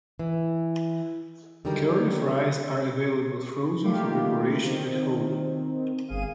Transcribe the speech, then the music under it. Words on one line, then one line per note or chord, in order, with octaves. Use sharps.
Curly fries are available frozen for preparation at home.
E3
D3 D#3 F#3 G3 G4 A#4
D#3 A3 A#3 F4 G4
D#3 C4
G1 G#4 F5 D#7